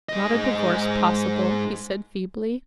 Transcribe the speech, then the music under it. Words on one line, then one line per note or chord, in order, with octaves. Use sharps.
"Is not a divorce possible?" he said feebly.
G#2 D#5